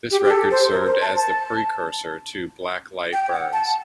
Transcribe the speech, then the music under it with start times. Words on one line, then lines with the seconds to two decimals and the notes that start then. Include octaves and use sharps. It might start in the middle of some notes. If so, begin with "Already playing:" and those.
This record served as the precursor to Black Light Burns.
0.11 G4
0.25 G4
0.31 A4
0.51 C5
0.72 A#4
0.86 C5
1.02 A5
1.16 A5
3.13 G5
3.33 F#5
3.53 A5